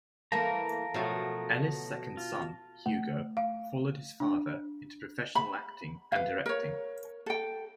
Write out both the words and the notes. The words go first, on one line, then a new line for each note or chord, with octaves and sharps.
Ellis's second son, Hugo, followed his father into professional acting and directing.
E3 A3 A#3 A#4 A5 A#5 A#6
B2 F3 F#3 A3
F4
A3
F5
D4
B5
B4 F5
A#4 C#5
A4 G5